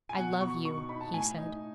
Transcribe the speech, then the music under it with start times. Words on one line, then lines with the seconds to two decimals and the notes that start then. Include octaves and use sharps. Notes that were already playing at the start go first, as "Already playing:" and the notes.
'I love you,' he said.
0.09 G#5
0.16 B2 F#5
0.41 B2 C#6
0.65 D#4 C#6
0.78 C#6
0.89 D#4 B5
1.01 A5
1.13 A2 G#5
1.38 D#4